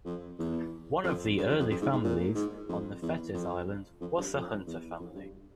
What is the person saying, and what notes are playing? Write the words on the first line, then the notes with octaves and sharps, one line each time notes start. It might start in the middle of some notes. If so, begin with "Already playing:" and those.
One of the early families on Thetis Island was the Hunter family.
F2
E2
F2
G2
F2
F2
F2
G#2
G#2
A#2
G#2
F2
E2
F2
F2
G2
F2
E2
F2
G2